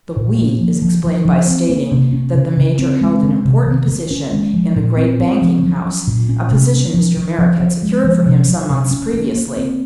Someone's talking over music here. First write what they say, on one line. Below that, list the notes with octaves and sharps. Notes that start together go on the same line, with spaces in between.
The "we" is explained by stating that the Major held an important position in the great banking house--a position Mr. Merrick had secured for him some months previously.
A#2
A#3
F3
F3
F3
F3
C4
A#3
C3
C#4
C#3
C#3
C4
G#3
D#3
C3
D#3
D#3
C#4
G#3
F3
A#2
C4
C4
F3
F#3
C#4
A#2
C#4
C3
C#4
F3
F3
F3
F3
G#3
F3
C3
F#3
C3
C#4
A#3
A#3
C4